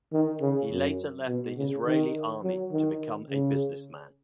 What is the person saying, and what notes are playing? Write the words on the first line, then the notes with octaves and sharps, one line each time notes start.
He later left the Israeli army to become a businessman.
D#3
C#3
F#2
B2
C#3
D#3
F#3
D#3
C#3